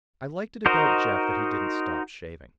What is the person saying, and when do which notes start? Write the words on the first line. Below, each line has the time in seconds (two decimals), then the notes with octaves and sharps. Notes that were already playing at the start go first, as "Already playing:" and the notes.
I liked it about Jeff that he didn't stop shaving.
0.66 D#4 F#4 A#4 C5 D#5